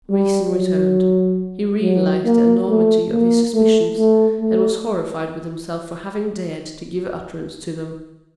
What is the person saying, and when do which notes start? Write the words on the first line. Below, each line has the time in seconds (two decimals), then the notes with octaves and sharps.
Reason returned; he realized the enormity of his suspicions, and was horrified with himself for having dared to give utterance to them.
0.10 G3
0.52 F#3
1.82 F#3
2.26 A#3
2.68 A3
3.12 A#3
3.54 A3
3.97 A3
4.41 A3